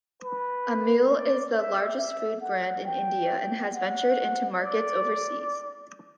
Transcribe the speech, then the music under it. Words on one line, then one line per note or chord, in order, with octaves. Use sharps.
Amul is the largest food brand in India and has ventured into markets overseas.
B4
D5
E5
E5
F#5
G5
F#5
D5